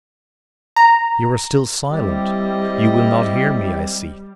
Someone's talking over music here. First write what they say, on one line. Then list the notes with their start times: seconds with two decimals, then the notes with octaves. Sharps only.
You are still silent? You will not hear me, I see....
0.76 A#5
1.92 G3 C4 E4 G4 D5 D#5